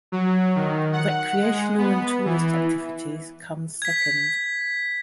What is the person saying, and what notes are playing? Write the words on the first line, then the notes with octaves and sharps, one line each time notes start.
Recreational and tourist activities come second.
F#3
D#3
F#5
G#3
B3
E3
G#6 B6